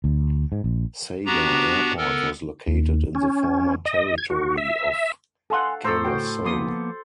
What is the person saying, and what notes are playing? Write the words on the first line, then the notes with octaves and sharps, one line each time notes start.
Saga Airport was located in the former territory of Kawasoe.
D2
G#2
A#1
B3 D4 F#4 G4 A#5
B3 A4 A#4
D#2
C#4
D#5
G#6
F#4
E5
A4 F5 F#5 G#5 C6
A2 A4 C5 A#5 E6
F#4 G5
F3 A#3 B3 C6 D#6